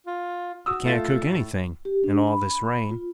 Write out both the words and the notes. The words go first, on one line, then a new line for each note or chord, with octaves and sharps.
We can't cook anythin' in all this rain.
F4
F#4 D#6 E6
A3 F4 A6
A2
G4
D4
B5
F4